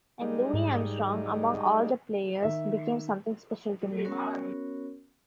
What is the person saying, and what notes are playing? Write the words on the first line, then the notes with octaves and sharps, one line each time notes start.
And Louis Armstrong among all the players, became something special to me.
G3 G#3 D#4
G#2
D#3 E5
B3 C#4 F#4 A#4 C#5